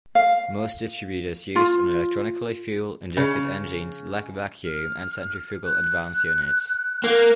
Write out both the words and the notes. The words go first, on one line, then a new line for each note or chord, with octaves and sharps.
Most distributors used on electronically fuel injected engines lack vacuum and centrifugal advance units.
F5
F4
C#3
F6
F#6
A#3